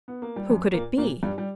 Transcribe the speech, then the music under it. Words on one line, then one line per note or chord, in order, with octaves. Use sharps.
Who could it be!
B3
A#3
G3
F#2 F#3
A#2 A#3
A#2 A#3
G2 G3
G3